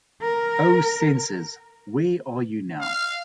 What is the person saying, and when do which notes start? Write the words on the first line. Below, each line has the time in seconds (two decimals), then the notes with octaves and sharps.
O censors, where are you now?
0.22 A#4
2.81 F5